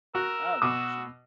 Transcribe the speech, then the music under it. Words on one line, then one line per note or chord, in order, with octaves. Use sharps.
Oh, that's a shame.
F#4 A#4 E6
B2 F#4 D6 D#6